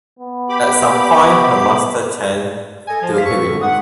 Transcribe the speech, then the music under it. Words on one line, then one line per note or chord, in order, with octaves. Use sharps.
At some point her master changed to Hewitt.
B3
G4 B5 D6
A4 D#5 G#5
F3
C3 C5 F5 F6 B6
G2 D3 C#6
G1 A4
G#2 F#5 D#6